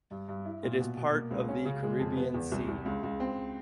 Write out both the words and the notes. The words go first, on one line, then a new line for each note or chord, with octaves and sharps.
It is part of the Caribbean Sea.
G2
G2
E4
A#2
B2
B2
A#3
C#2
C#4
C#3
G#3
F2
B3
E2
C2
C2
C#2
C#2
C4